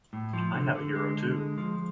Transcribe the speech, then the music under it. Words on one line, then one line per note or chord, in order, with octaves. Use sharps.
I have a hero too.
A2
F3
D3
D3
G#3
D3
G#3
F3